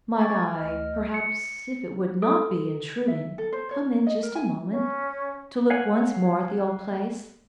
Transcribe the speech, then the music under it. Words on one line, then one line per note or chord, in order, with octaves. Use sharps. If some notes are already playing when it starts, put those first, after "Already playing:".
Might I, perhaps, if it would not be intruding, come in just a moment to look once more at the old place?
G5 G#5 C#6 D6 G#6 A6
D2 D#5 F6
C#7
A4
E5
A4
C5
C#5
D#5
A#4
G#5
C#4
C#5 F5 F#5 G#5